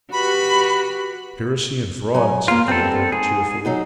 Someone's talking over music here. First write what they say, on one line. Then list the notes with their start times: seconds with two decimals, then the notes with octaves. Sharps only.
"Conspiracy and fraud," said the other cheerfully.
0.12 F#4 G4 B4 B5
2.14 F#3 G#5
2.48 A#3 F4 G#4
2.68 G3 B3 C4 A4
3.12 G#2 G#4
3.65 F#3 D#4 F#4